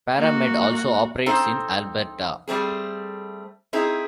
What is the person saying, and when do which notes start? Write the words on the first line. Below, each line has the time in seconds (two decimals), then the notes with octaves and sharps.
ParaMed also operates in Alberta.
0.15 A#3 F#4
1.26 C4 D#4 A4 C5
2.47 G3 A3 C4 G#4
3.73 C4 D#4 E4 G#4